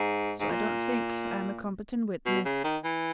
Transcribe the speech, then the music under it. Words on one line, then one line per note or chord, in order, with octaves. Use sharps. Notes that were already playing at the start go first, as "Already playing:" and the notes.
So I don't think I'm a competent witness.
Already playing: G#2
G#2
A#2
B2
C#3
D#3
E3